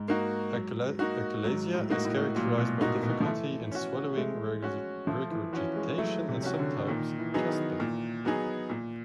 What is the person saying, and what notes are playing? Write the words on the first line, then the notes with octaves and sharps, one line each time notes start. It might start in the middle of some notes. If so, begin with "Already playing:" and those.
Achalasia is characterized by difficulty in swallowing, regurgitation, and sometimes chest pain.
Already playing: G#2
A#3 D#4 F#4
F#3
A#3 D#4 F#4
G#2 F#3
A2
A#3 D#4 F#4
A2
A#2 F#3
B2
A2 A#3 D#4 F#4
B2
F3
E3 A3
C#4 F#4
G#3 A3
C#4 F#4
F3 A3
E3
E3 C#4 F#4
G#3
F#3 A3
C3
C#4 F#4
D3
A#2 D#3
E3
F#3 B3 D#4 G#4
D#3
A#2
F#3 B3 D#4 G#4
A#2